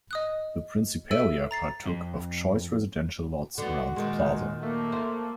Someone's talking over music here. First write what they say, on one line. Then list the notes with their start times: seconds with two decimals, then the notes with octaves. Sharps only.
The "principalia" partook of choice residential lots around the plaza.
0.11 D#5 D#6 F#6
1.11 A4 E5 E6 D7 D#7
1.51 A#5 A6 C7
1.86 F2
3.58 D3 B3 F#4
3.96 A#2 D#3 G#3
4.62 A3 A#3
4.92 C5 F5